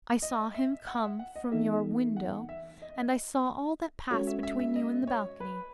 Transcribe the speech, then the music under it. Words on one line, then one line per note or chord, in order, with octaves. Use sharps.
I saw him come from your window, and I saw all that passed between you in the balcony.
D#5
E5
F#5
E5
F#5
D#5
E3 B3 D#4 A4 E5
F#5
E5
D#5
G#3 C#4 F#4 A4 C#5
E5
E5
E5
D#5
C#5
B4